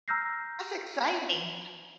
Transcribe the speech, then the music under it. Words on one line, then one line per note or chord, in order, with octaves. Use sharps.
That's exciting.
A#5 E6 F6 G6 A#6 C7